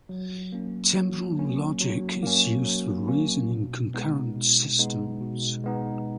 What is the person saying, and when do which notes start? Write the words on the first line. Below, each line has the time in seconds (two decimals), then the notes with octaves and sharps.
Temporal logic is used for reasoning in concurrent systems.
0.09 F#3
0.52 A#3 C#4
0.95 F#3
1.38 A#3 C#4
1.81 F#3
2.23 A#3 C#4
2.65 F#3
3.08 A#3 C#4
3.51 B2
3.94 G#3 B3 D#4
4.36 B2
4.79 G#3 B3 D#4
5.21 B2
5.64 G#3 B3 D#4